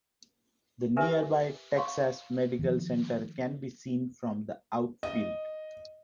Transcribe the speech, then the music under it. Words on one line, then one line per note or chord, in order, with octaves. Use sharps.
The nearby Texas Medical Center can be seen from the outfield.
G4 A#4 B4 E5 G#5
C#5 F5 C6 C#6
D#3 F3
D#5